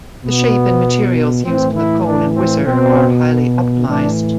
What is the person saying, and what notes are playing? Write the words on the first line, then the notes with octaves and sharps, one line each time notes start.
The shape and materials used in the cone and whizzer are highly optimized.
B2 B3
A2 E3 C4
E4
D4
C4
B2 C4
A2 E3 D4